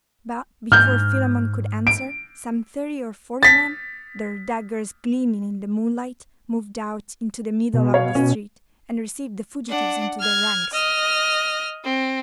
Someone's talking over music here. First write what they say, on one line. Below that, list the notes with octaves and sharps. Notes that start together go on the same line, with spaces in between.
But, before Philammon could answer, some thirty or forty men, their daggers gleaming in the moonlight, moved out into the middle of the street, and received the fugitives into their ranks.
G#2 F6 G6
D7
A6 B6
B2
C#5 F5
B2 C#4
D4 F#5
F6 G#6
D#5 F6
C4